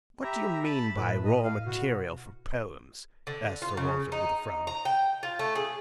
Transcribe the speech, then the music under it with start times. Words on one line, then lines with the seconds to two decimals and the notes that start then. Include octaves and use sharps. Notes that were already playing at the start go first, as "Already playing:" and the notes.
"What do you mean by raw material for poems?" asked Sir Walter, with a frown.
0.23 G4 E5 A#5 B5
0.64 A5 B5 E7
0.97 A2 B4
1.24 D#5
1.44 F5
1.66 B2 F#4
3.27 D3
3.62 F4
3.77 C#3
4.12 D#4
4.67 A#5
4.85 G5
5.23 F4
5.39 A3
5.55 G#4